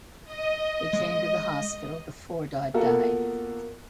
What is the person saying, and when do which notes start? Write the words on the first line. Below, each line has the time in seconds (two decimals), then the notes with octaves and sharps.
They came to the hospital before Dodd died.
0.25 D#5
0.93 G#3
2.74 A#3 B3 F4 F#4 A4 A#4